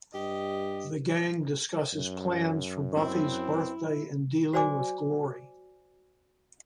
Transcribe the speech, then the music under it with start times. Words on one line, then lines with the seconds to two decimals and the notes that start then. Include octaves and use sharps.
The gang discusses plans for Buffy's birthday and dealing with Glory.
0.14 G2 G4 D#5
1.93 F#2
2.97 C4 E4
4.53 F#4 C5 D5 G#5 D6